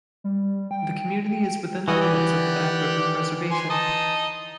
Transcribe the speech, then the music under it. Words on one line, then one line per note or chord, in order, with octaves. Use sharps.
The community is within the limits of the Bad River Reservation.
G3
G5
E3 F#4 D#5
G4 D5 F#5
G#5 C6
D#4 D#5 A5